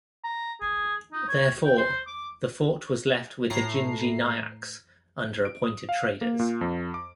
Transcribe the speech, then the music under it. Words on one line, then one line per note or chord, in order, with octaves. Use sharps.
Therefore, the fort was left with the Gingee Nayaks under appointed traders.
A#5
G#4
D#4
C#5
G5
C5
D6
A2 A#5 C7
D7
D#6
F5
A#3
A#2
F2
D6